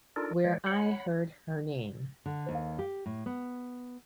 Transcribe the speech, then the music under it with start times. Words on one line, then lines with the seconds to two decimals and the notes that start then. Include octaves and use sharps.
Where I heard her name.
0.16 D4 D#4 F4 A4 A#4 D5
0.44 E3 G#3 C#5 D5
0.66 C#5 F#5 B5
2.26 D3
2.49 D#2
2.79 G4
3.06 A2
3.26 B3